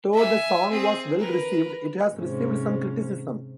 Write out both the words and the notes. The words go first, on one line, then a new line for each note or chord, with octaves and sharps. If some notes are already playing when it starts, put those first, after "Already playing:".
Though the song was well-received, it has received some criticism.
E5 G#5
C4 G#4
A#4 B4
G#2 C3 C#4